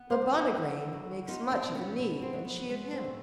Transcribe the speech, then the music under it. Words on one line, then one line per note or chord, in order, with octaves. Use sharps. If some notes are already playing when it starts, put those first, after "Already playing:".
Mabonagrain makes much of Enide, and she of him.
Already playing: B3
A#4 C5
D3
E4 F#4
D3
F#3
B3 D#4 F4
C4 D4
B2
B3 C#4
B2 B3
C4
F#3
B3
G#3 B3
C4
A2